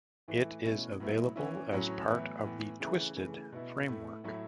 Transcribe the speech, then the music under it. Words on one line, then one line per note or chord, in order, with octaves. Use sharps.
It is available as part of the Twisted framework.
A2 E3 A3 E4
B2 A3 C#4 E4
A2 F#3 B3 E4
E3 C#4 E4
A2 F#3 A3 C#4
A2 E3 B3 E4
A2 E3 B3
C#3 E3 A3 C#4 E4
C#3 E3 A3
B2 B3 E4
A2 A3 E4
A2 F#3 A3 E4